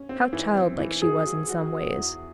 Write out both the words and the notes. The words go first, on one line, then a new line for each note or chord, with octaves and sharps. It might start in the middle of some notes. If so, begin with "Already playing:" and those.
How childlike she was in some ways!
Already playing: C#4
C4
E3
C4
E3
F#3 G#4
F#3
F#4
F#4
E2